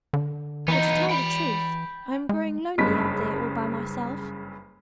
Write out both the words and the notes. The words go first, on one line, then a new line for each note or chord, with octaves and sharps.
For to tell the truth, I am growing lonely up there all by myself.
D3
E3 B3 D#4
G5 B5
G#3
F#1 G2 C#3 B6